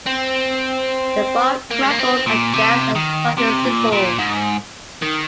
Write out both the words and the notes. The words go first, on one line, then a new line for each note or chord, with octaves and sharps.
The fire crackled and danced, and something sizzled.
C4
A#3
G#3
A#3
C4
A#2
C3
D#3
C3
A#2
A#2
G#2
D#3